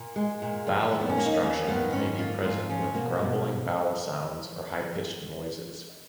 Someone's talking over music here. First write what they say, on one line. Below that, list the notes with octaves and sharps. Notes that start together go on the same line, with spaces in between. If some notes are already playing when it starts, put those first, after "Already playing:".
Bowel obstruction may present with grumbling bowel sounds or high-pitched noises.
Already playing: A#2
G#3
A#2
F3
D#2
B3
C#4
A#3
D#4
D#2 C#4
D#3 B3
G#2 C#4
A#3 F4
G#2 F4
F3 C#4
B2 A#3
B2